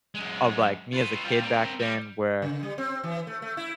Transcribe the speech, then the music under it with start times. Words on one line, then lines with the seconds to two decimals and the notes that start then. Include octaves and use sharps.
of, like, me as a kid back then where
0.15 F#2 G#3
0.93 F4 B4
1.24 G3 F4
1.43 C4 A#4
1.79 G3
2.42 C#3
2.63 G3
2.78 C4
3.04 E3
3.27 A3
3.42 A3
3.57 E4